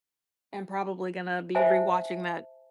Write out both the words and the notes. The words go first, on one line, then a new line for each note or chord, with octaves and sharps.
am probably gonna be rewatching that
C5 E5 G#5 A5